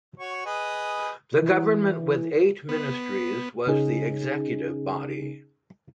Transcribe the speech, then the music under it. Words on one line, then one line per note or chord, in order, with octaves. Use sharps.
The government with eight ministries was the executive body.
F#4 C#5 C#6
G#4 B4 D#5
E3
B3
C#3 C#4 D#4 G#4